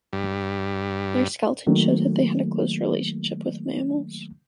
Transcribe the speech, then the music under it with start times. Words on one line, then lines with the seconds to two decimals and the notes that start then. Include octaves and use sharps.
Their skeleton shows that they had a close relationship with mammals.
0.13 G2
1.67 D#3 F#3 A3 A#3